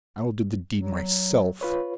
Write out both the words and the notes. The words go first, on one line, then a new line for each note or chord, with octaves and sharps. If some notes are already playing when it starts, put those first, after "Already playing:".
"I'll do the deed myself."
F#3
F4 B4 C#5